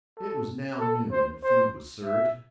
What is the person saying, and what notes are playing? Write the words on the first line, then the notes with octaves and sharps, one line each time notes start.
It was now noon, and food was served.
A4
A4
C5
C5
E5